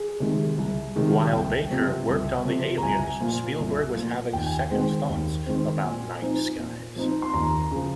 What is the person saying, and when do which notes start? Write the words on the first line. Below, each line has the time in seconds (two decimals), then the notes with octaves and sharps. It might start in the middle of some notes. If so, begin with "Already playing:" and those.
While Baker worked on the aliens, Spielberg was having second thoughts about "Night Skies".
Already playing: G#4
0.20 C3 D#3 G#3
0.57 C2
0.96 C3 D#3 G#3
1.32 C2 G5
1.70 C3 F3
2.08 C2
2.45 C3 F3
2.77 A#5
2.82 C2 G#5
3.20 A#2 F3 A#3 F4
3.59 C2
3.95 A#2 F3 A#3 F4
4.33 D#2 G5
4.46 G#5
4.60 G5
4.70 D#3 G#3 C4
5.09 D#2
5.46 D#3 G#3 C4
5.84 A#2 G#5
6.22 F3 C4 D#4
6.58 A#2
6.96 F3 C4 D#4
7.22 C6
7.33 D#2 A#5
7.71 C#3 F3